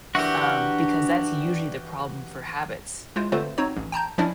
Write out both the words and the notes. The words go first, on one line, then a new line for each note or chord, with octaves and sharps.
Um, because that's usually the problem for habits,
E3 D4 F#4 G4 A#4
G#3 E4 F4 C5
D3 A3 C4 F4 B4 C5
C4 D#4 F#4 C#5
A1
G5 A5 A#5 G6
F3 C#4 D4 E4 D5